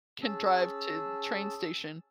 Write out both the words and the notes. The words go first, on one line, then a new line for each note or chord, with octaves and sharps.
can drive to the train station
C#4 G#4 A5 E6